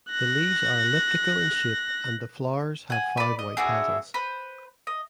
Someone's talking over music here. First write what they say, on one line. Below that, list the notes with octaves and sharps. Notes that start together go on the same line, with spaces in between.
The leaves are elliptical in shape and the flowers have five white petals.
F#6 A#6
F#5 G#5
B4 D5
D#5
D4 E4 F#4 G#4
B4 C5
D#5